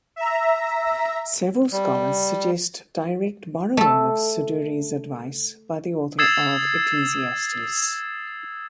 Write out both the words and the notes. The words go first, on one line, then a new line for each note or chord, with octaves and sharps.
Several scholars suggest direct borrowing of Siduri's advice by the author of Ecclesiastes.
E5 A#5
G3
A3 A4
D#6 E6 G#6 A6 C7 E7